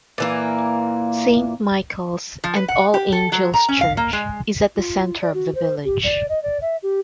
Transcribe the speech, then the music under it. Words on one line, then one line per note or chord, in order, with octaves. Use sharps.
Saint Michael's and All Angels' Church is at the centre of the village.
A#2 E3 A#3
F3
B4
F#5
G4
A4
F#3
A#5
C#4
F5
A#3
G#3
F4
D5
F#4
C5
G4
D5
D#5
D5
E5
G4